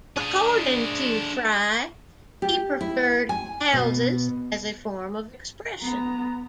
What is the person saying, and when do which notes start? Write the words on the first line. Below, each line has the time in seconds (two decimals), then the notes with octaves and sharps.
According to Frey, he preferred houses as a form of expression.
0.16 D4 G#4
2.42 G4
2.81 E4
3.29 G#5
3.73 B2
5.82 B3 A#5